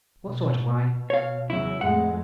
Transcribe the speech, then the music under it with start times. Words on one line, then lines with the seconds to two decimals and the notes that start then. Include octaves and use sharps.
"What sort of wine?"
0.23 B2
1.10 C#5 F5
1.50 E2 C#3 F#3 E4
1.81 F2 A2 G#3 F#5